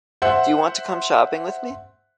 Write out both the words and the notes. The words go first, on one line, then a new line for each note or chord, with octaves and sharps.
Do you want to come shopping with me?
C5 E5 F#5